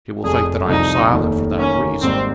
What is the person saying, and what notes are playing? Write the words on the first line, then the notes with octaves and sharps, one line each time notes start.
She will think that I am silent for that reason.
F1 F2 C3 G#4
C2 C3 F3 D#4
F1 D#2 D#3
D#2 D#3 A#3 C#4
G#1 G#2 G3 A#3 C4 D#4